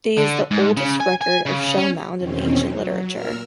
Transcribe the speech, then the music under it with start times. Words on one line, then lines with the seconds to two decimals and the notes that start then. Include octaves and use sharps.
The is the oldest record of shell mound in ancient literature.
0.17 D3
0.51 G#2
0.77 C#3
1.01 G#5
1.21 G#5
1.46 C#3
1.78 C#4
2.16 E2 B2 D#3 C4 C#4
2.61 F#3
3.12 A#2 A#4 E6 F6